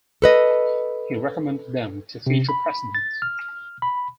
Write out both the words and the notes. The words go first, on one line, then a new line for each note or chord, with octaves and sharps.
He recommended them to future Presidents.
A4 B4 D#5
C3
B5
A6
F6
B5